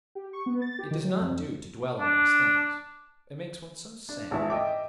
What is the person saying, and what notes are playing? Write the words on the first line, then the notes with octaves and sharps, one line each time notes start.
It does not do to dwell on these things; it makes one so sad.
G4
C#6
B3
A6
G4
D#3
F#3
F2
D4
D4
G#1 G#2 E3 E5 A5
D#5 E5 G5 D6